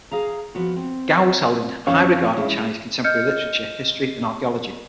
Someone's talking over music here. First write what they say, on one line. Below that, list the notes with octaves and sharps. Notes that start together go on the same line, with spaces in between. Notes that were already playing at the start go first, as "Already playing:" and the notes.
Guo was held in high regard in Chinese contemporary literature, history and archaeology.
G#4 F5 A#5
F3 B3 F#4
C4
F2 F3 C#4 C#5 F5
G#3 E4
D#5 F6 G6 C#7